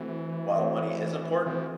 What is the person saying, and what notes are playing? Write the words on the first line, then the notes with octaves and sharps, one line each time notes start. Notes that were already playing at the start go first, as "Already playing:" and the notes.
while money is important
Already playing: E3 A3 C4 F#4
A3 C4 F#4
E3 A3 C4 F#4